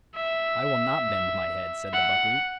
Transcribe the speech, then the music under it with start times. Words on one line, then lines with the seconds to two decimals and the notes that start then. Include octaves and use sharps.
"I will not bend my head," said the buckwheat.
0.15 E5
1.93 F#5